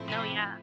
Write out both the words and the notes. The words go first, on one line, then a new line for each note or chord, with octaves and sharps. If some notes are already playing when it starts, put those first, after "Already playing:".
No, yeah.
Already playing: A2 F3 A3 C4 E4
C3